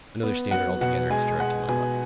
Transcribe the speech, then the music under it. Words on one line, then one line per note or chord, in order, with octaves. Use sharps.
Another standard altogether has directed my life....
B3
F#3 F#5
B2 F#5
G#3 G#5
G#3 F#5
B2 G#5